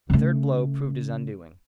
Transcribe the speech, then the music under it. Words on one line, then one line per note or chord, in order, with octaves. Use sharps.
The third blow proved his undoing.
C#3 A3